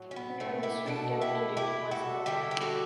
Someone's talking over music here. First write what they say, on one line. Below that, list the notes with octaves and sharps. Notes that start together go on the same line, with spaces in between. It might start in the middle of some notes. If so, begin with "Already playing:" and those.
It has a street dedicated to Barcelona.
Already playing: A2 F#3
C#4
B3
A3 C#4
E4 G4
B2 A3 F#4 A4
E4 G4
E4 G4
F#4 A4
D3 G3 E4 G4
G4
F#4 A4